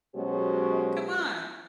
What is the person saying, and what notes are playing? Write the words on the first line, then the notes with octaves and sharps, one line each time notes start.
Like, come on."
B2 F#3 G#3 C#4 G4 C5